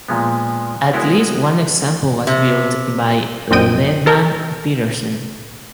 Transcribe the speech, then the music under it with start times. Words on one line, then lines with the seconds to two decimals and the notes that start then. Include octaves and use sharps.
At least one example was built, by Lehmann-Peterson.
0.08 A#2 F3 G#3 B3
0.93 G#3 B3 E4 F#4 A#4 G5
2.27 C3
3.51 A#1 F#2 C4 D#5 G5 D#7
4.06 A4 A#4